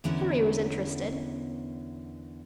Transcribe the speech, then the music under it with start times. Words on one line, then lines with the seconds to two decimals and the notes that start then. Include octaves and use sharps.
Henry was interested.
0.04 E2 D3 B3 C#4 E4 A#4